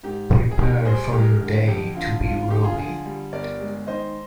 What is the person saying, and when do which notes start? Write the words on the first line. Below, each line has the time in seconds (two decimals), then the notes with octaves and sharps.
Prepare for your day to be ruined.
0.03 G#2 G4
0.31 G#1
0.51 G#4
0.58 D#3 G4 A#4
0.85 G3 G#4 C5
1.13 G#3 G4 A#4
1.41 D3
1.68 F2 G4
1.95 D3 F4
2.23 D3 F4
2.37 F4
2.50 D3 G4
2.64 F4 G#4
2.77 D3 F4 G#4
3.06 G3
3.32 G1 A#4 D5
3.60 G#3
3.87 D#3 C5 D#5